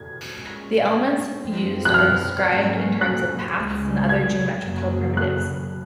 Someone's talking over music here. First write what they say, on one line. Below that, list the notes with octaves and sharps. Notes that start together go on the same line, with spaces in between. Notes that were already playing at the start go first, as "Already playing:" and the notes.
The elements used are described in terms of paths and other geometrical primitives.
Already playing: G#6
A#2 G#3 C#4
F#2 F3 C4
F#6
F6
G#2 F#3 A#3 C#4
F#6
C#2 C#3 G#3
G#6
F#2 C#3 F#3 A#3
F#6